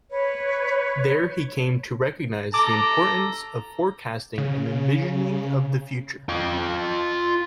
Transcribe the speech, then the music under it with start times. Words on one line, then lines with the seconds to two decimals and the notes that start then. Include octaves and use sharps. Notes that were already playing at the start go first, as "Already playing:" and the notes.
There he came to recognize the importance of forecasting and envisioning of the future.
0.10 B4 C#5
2.54 A4 A#5 D6
4.38 C#3
6.29 F4 G5